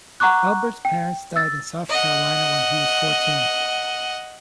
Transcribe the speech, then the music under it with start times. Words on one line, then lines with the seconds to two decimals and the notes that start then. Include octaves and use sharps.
Elbert's parents died in South Carolina when he was fourteen.
0.20 F#5 A#5 C#6 D6 F#6
0.85 G5
1.36 E6 A6
1.90 D#5 F#5